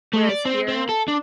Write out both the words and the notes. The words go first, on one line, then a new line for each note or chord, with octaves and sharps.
whereas here,
A3
D5
C4
C4
A4
D4